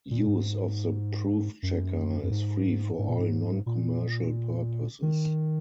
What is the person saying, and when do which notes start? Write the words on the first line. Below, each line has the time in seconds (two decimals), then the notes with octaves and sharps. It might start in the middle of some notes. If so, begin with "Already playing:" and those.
Use of the proof checker is free for all non-commercial purposes.
0.11 A#2
0.27 G#2
1.63 F#2
2.23 F#2
2.31 G#2
2.99 G#2
3.09 A#2
3.19 G#2
3.66 A#2
5.02 D#3